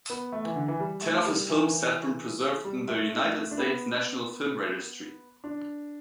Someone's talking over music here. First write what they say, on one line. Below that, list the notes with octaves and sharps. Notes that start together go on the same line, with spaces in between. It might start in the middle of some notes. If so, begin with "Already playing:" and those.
Ten of his films have been preserved in the United States National Film Registry.
B3
A3
E3
D3
E3
G3
A3
G3
E3
G3
A3
D4
B3
D4